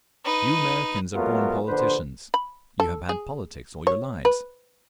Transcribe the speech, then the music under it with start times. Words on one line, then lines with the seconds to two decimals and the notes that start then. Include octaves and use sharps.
You Americans are born politicians; you have had politics all your lives.
0.25 D#4 B4
1.14 F#3 G#3 A3 B3 F4 A#4
1.66 A#1 D3 B4 C5
2.34 B5
2.80 A4
3.09 G#4
3.87 C#5
4.25 B4